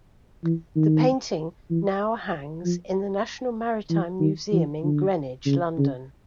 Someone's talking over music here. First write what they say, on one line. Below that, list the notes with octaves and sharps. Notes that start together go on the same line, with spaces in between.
The painting now hangs in the National Maritime Museum in Greenwich, London.
E3
D#3
E3
F3
E3
D#3
E3
D3
C#3
C#3